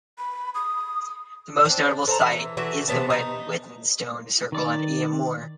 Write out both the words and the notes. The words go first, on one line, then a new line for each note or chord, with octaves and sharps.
The most notable site is the Wet Withens stone circle on Eyam Moor.
B5
D#6
C4 D4
A4 C5 A5 A#5
E3
E3 A3 F#4 E5
C3 E3 B3 A5
D#4
D#3 D5